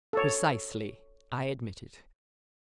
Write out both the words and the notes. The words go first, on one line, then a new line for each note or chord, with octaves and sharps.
"Precisely," I admitted.
A4 C#5